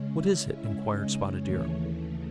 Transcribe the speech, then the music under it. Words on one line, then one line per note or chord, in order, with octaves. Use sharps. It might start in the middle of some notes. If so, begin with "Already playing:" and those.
"What is it?" inquired Spotted Deer.
Already playing: C#3 G#3 C#4
E4 E5
E4 E5
D#4 D#5
D#2 C#3 E3 A3 C#4 C#5